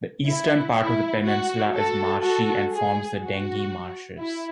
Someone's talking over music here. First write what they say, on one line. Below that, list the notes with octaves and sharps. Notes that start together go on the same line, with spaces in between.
The eastern part of the peninsula is marshy and forms the Dengie Marshes.
E4
E4
F#4
F#4 A4
F#4 A4
G#4
F#4
E4